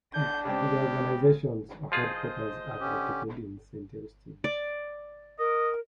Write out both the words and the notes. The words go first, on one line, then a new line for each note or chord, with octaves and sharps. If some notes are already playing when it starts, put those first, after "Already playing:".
The organisation's headquarters are located in Saint Augustine.
D4 G6
C#3 G#3 C4 G4
F3 F4 G#4 C5 D#5
D3 C#4 G4
D5
A#4 D#5